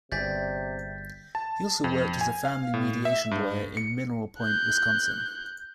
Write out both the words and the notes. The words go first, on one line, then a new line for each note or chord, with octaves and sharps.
He also worked as a family mediation lawyer in Mineral Point, Wisconsin.
G1 C3 G#4 D5 G6 A6 B6
A5
F2
G#5
F5
A2
E5
G2
C#7
F#6 G6